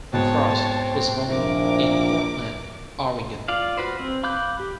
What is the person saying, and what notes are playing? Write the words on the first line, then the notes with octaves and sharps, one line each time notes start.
Frost was born in Portland, Oregon.
G#2 B2 C4 C#5 A5
A#1 E4 A#4 D6
F4 D5 F5
F#4 B4 C5
C4
F5 B5 D6 F#6 G6
G4